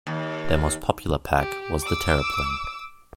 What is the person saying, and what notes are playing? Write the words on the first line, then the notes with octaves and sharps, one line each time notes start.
Their most popular pack was the Terraplane.
D#2
G4
D6 E6